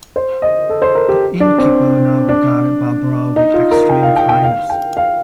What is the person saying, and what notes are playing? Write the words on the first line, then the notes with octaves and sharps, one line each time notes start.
The innkeeper now regarded Barbara with extreme kindness.
C5
D#5
A4
C5
A#4
G4
D4
C4
D4
D#4
F4
A#4
G5
F5
G5
G5
F5
G5
F5